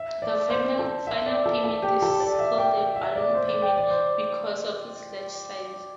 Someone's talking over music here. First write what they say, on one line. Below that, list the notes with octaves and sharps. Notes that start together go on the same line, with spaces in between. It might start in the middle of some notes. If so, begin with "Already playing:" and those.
The final payment is called a "balloon payment" because of its large size.
Already playing: E5
D5
C5
A4
E5
D5
A4
A4
G4
A4
D5
E5
G5
G5
E5
D5
C5
D5
G5
D5
C5